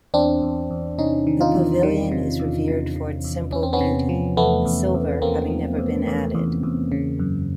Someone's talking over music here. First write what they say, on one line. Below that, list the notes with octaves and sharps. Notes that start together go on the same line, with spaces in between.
The Pavilion is revered for its simple beauty, the silver having never been added.
E2 C4 D4
E2
E2
C3 C#4 D#4
D#3
D#4 F4
E2
D#3
C3
E2
C3
C3
E2
E2 C#4
C4
B3 C#4
C3
F3
E2 A3 B3
E2
E2
E2 A#3 C4
F3
E2
E2
E2
E2
C#3
F#2